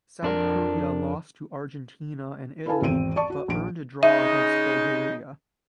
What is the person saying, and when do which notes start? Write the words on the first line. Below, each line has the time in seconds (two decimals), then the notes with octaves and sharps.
South Korea lost to Argentina and Italy but earned a draw against Bulgaria.
0.23 F2 D4 A#4
2.66 E4 A4 B4 F5 G#5 A5
2.82 G#1 E2 C4 D7 D#7
3.16 D5 A5 C#6
3.30 F#4
3.48 A#1 D7
4.03 C#3 G#3 D#4 E5